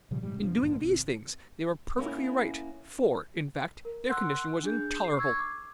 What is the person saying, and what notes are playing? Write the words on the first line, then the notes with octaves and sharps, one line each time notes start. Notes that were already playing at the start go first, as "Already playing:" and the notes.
In doing these things they were perfectly right; for, in fact, their condition was intolerable.
A#2 C#3 F3 G3
G#2 C3 G3 G#3
F1 B2 F3 D4
A1 G2 D3 B3
G#1 C3
A#3 B3 C#4 E4
A#4
F#5 C6 E6 F#6
D4 G#4 G6
C7
C#6 E6 G#6
D6